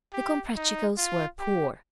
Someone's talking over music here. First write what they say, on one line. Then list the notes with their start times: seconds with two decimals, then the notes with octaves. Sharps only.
The Comprachicos were poor.
0.13 G4
0.56 D#4
0.97 F4
1.39 G4